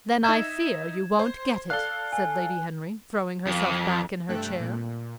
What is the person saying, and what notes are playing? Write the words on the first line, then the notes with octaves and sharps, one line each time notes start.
"Then I fear you won't get it," said Lady Henry, throwing herself back in her chair.
D#4 E5 G#6 E7
C5
A4 D5 F5 F#6 G7
G#5
F2
G2 C3 A3 A4 G5 F#6
A#2